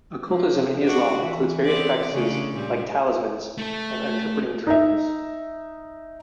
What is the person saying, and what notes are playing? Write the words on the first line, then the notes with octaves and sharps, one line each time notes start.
Occultism in Islam includes various practices like talismans and interpreting dreams.
F3
D4 F#4
E3
B3 C4 D5
C#3 A3 D4
A#2 G3
A3 A4
D#4 E5